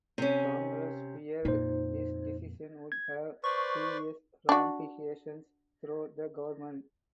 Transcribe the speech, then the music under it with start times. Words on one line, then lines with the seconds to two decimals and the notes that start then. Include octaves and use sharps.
Congress feared this decision would have serious ramifications throughout the government.
0.18 C3 C#4
1.45 F2 A#2 D#4 C5
2.92 G#6
3.44 B4 C5 D5 C#6
4.49 D4 F#4